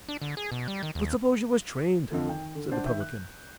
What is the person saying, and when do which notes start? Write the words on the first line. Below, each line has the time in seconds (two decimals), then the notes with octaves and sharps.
"But suppose you was trained?" said the publican.
0.09 D4
0.22 D3
0.37 G#4
0.52 B2
0.68 G3
0.83 D#3
0.95 D#2
2.10 F2 D3 F3 A3
2.27 D#3 G5
2.55 D3
2.71 D4 C5 F#5 A5
2.84 D#3 E5 G6
3.00 F#6